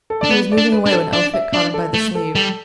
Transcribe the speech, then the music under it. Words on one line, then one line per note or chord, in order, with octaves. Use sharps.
He was moving away when Elphick caught him by the sleeve.
A4
D4 D5
B3 B4
D5
D4
B4
D4
A4
D4 D5
E5
D4 D5
A4
A3
A4
G3 A4